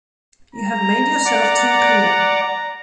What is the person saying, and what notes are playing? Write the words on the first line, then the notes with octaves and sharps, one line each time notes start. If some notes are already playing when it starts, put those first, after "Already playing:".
You have made yourself too clear.
A#5
D5 F#5 D6